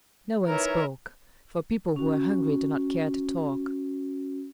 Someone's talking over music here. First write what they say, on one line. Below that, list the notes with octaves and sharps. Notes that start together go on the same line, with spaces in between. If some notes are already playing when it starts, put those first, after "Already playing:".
No one spoke, for people who are hungry do not care to talk.
E3 D#4 A#4 C#5 E5
C#4 F#4